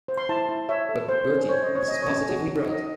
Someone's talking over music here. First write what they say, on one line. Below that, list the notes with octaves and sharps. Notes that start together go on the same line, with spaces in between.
But, Bertie, this is positively bright.
C5
C6
E4 A5
E4
C#5 E5
A4
C5
C#4
C5 C#5
D#5
C#4
C#5
C#5 D#5
C#5
C#4
F#4
D#4
D#4 D#5